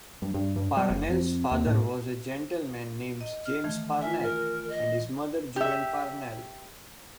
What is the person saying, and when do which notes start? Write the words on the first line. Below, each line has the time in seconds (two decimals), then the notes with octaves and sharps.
Parnell's father was a gentleman named James Parnell, and his mother Joan Parnell.
0.22 G2
0.34 G2
0.56 G2
0.77 G3
0.90 F#1
1.09 F2
1.51 D#2
1.67 A2
3.21 D#5
3.45 F6
3.64 D#3 E3 A3
4.01 F4 E5 G#5
4.23 A#4
4.69 D#5
5.56 G4 E5